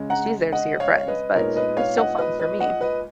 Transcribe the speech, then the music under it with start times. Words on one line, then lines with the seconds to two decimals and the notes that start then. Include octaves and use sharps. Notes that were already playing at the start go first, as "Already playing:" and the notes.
she's there to see her friends, but it's still fun for me.
Already playing: C#3 G#3 C#4
0.10 F#5 A#5
0.52 D#5 F#5
0.80 C#5 F5
1.08 B4 D#5
1.35 A#2 G#3 B3 D#4 A#4 C#5
1.56 B4 D#5
1.77 C#5 F5
1.98 D#5 F#5
2.19 B4 D#5
2.39 B4 D#5
2.60 D#5 F#5
2.81 B4 D#5